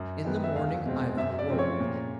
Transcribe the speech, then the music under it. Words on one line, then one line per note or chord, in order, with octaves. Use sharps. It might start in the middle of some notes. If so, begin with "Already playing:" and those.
In the morning Ivan awoke.
Already playing: F#2
D#3 G#3 B3
E5
E2 F5
B2 G#3 C4
F#2 E5
D5
C#3 F3 A3 C4
C#5
A#2